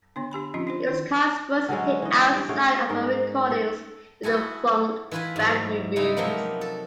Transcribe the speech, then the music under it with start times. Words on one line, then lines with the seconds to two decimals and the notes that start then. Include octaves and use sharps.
It was Khan's first hit outside of her recordings with the funk band Rufus.
0.16 D3 B3 D4
0.32 D4 G4 G#5 B5
0.54 F3 C4 C#4 D#4 F4
0.67 D4 F4 C5
0.87 D#3 D4 E4
1.68 D3 F#3 G#3 C#4
2.02 E3 D#5
2.32 G2 D5
2.49 A3 C#4 F#4 G#4
2.89 G#2 G#4 A#4 D#5
3.50 A4
4.23 E4 F#4 G#4 A4
5.11 E3 E4 F4 B4 G#5
5.36 G#2 F#3
5.96 C#3 G#3 D#4 E4
6.17 C3 F3 F#3 A#3 B3
6.61 A4